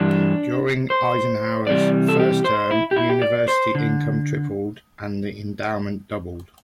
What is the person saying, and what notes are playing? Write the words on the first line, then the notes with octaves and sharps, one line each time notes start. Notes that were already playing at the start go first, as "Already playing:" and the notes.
During Eisenhower's first term, University income tripled and the endowment doubled.
Already playing: G2 E3 G3 D4
C5
C2 C3 E3 G3 D5
A4
G4
C5
E4
G4
E4
G4
D5
C5
D3